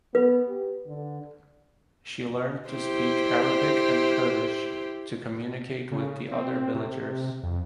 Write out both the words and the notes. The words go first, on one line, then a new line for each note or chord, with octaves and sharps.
She learned to speak Arabic and Kurdish to communicate with the other villagers.
B3 B4
G4
D3
E4 G4 C5
C#3
C4
C3
F2